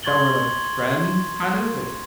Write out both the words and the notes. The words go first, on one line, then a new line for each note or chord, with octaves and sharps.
that we're, like, friends, kind of, but
C6 C#6 G#6 A6 F#7 G7